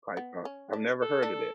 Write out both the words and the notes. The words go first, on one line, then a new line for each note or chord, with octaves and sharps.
Python. I've never heard of that.
B3
C#4
D4
A4
D4